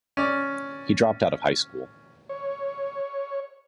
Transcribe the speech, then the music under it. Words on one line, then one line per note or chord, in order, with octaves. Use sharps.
He dropped out of high school.
C#4 D5
C#5